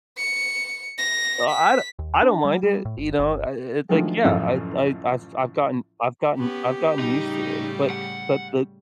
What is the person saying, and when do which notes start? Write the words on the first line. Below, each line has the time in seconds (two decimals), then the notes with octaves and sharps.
I I don I don't mind it. You know? Uh uh It like Yeah. I I I've I've gotten I've gotten I've gotten used to it, but but but
0.18 C#7
0.98 A#6
1.50 B6
1.99 D#2
2.22 D4
2.45 G3
2.63 G3
2.85 A2
2.98 G1
3.19 G1
3.89 D3 D#3 F3 F#3 G#3 A3
4.24 A1 F#2 C#3 F3 F4 E6
6.38 B3 C#4 G4
7.00 A2 C#3 G3 D#4
7.90 F#5